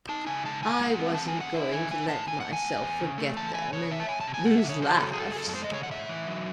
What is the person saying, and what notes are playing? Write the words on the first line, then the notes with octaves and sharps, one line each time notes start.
I wasn't going to let myself forget them and lose laughs.
D#4 A5
C#3 G#5
G#3 A5
A2 G#5
G#3 F#5
C4
E3 A5
G#5
A3 F#5
D#4 E5
D#3 G#5
E3 G#5
A2 A5
A2 G#5
A2 F#5
G#5
E2
E2
C#3
A3
E3 A5
E3 G#5
C3 C#5
C3 E5
A5
E2 G#5
A5
C3
G#5
C#3 F#5
E5
C#3
C#5
F#3 C5
C#3 A4
G#4
F#2 A4
G#4
F#2 A4
A4
G#3 C5
D#5
C#3 C#5
F#5
A2 E5
E3
F#3